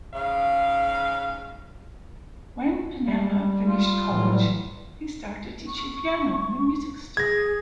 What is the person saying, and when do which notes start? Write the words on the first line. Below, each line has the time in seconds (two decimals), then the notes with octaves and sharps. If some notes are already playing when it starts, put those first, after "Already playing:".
When Pinnella finished college, he started teaching piano in a music store.
0.13 G#2 C#3 F5
3.08 G3
3.69 F4
4.10 A2 E3 F#3
5.68 C#6
7.17 G#4 G#6 A#6